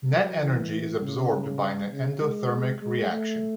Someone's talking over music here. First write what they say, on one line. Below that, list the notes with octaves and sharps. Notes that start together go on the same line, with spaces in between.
Net energy is absorbed by an endothermic reaction.
F#3
E3
C#3
C#3
G#3
G#3
A3